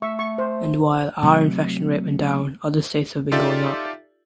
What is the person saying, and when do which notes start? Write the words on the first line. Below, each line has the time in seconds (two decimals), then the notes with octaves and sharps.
And while our infection rate went down, other states have been going up.
0.02 A3 E5 C#6
0.19 C#6
0.38 C5
1.22 C3 F#3 A3
3.31 D#4 F4 G4 A4 D5 E5